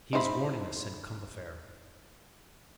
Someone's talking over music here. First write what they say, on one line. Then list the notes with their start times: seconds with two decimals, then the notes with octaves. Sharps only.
"He is warning us," said Combeferre.
0.13 D#4 E4 C5 D5 B5